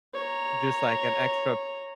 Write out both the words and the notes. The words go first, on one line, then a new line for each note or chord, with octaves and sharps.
just, like, an extra
C#5 A#5